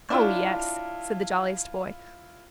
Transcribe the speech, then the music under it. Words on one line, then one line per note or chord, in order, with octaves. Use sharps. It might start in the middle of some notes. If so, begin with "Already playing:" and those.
"Oh, yes," said the jolliest boy.
F#3 D4 E4 F4